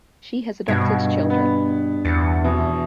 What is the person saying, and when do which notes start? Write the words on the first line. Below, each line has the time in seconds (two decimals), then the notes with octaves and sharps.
She has adopted children.
0.68 G2 B2 G#6
1.30 B3
2.05 E2 A6 C#7
2.44 B2 E3